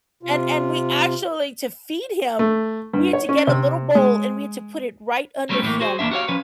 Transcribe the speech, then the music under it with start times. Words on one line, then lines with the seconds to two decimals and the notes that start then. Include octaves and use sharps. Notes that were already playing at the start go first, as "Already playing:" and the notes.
And and we actually to feed him, we had to get a little bowl, and we had to put it right under him
0.23 C3 F4
2.39 A3
2.93 G2
3.13 C#5
3.29 C#4
3.47 C3
3.95 G#3
5.49 F#3 G3 A3 C4 C#4
5.62 A2 E3 G3 A3 A#3
5.81 F#4 G#4 C5
5.99 E2 D#3 A#3 D4 E5
6.11 F#4 G4 A#4 C#5 F5
6.28 F3 C#4 B4